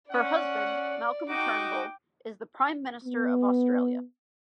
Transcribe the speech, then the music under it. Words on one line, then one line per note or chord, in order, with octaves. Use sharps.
Her husband, Malcolm Turnbull, is the Prime Minister of Australia.
C#4 D5 F#5
D#4 F#4 G5 D6
B3